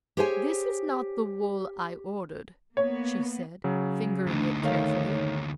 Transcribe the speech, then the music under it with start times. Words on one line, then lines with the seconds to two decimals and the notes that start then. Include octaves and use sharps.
"This is not the wool I ordered," she said, fingering it carefully.
0.17 G4 G#4 C5 C#5 F5 G#5
2.77 A#3 B3 C#5
3.64 C#3 F#3
4.26 D2 A3 D4 D#4
4.63 D#3 A3 C#5 F5